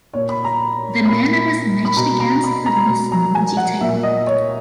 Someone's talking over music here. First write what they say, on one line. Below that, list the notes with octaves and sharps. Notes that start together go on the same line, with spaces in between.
The men I was matched against would miss no detail.
A#2 C#5
B5
A#5
A#2 B5
B5
B2 A#5
A#5
B5
A#5
B2
A#5
G#5
F#5
A#2 E5
D#5
C#5